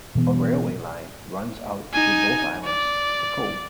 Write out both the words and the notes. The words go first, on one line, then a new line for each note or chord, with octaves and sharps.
A railway line runs out through both islands to Cobh.
B2 E3 B3
D#4 G#5
D5